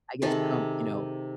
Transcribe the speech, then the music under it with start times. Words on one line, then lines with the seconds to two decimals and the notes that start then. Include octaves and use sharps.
I guess Trump, you know,
0.22 C3 D#3 G#4 A4